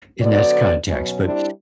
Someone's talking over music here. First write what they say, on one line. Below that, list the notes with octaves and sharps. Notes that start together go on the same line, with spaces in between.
in this context, but
D3 F#3 B3 F#4 D5
B2 F#3 C#4
G3 C4 D4 E4